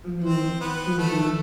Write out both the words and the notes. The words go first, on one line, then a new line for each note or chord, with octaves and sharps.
Mhm, mhm.
C4 C5
B3 B4
A3 A4